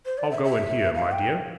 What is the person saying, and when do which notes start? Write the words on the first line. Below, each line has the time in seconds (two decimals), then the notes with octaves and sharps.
'I'll go in here, my dear.'
0.06 C5
0.18 D5
0.31 E5
0.44 E5
0.95 F5
1.12 G5